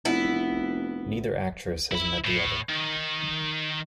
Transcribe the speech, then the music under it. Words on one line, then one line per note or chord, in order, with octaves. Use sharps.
Neither actress has met the other.
F1 B3 E4
E4 B5
A2
D#3